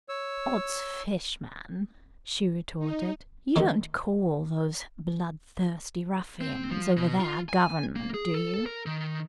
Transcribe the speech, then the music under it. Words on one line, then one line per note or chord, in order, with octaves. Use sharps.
"Odd's fish, man!" she retorted, "you don't call those bloodthirsty ruffians over there a government, do you?"
C#5 E6
D#4
D#3 G#3 A3 D#4
C4
F3
B2
F4
G#5
A#3
G#4
A4
A#4
D#3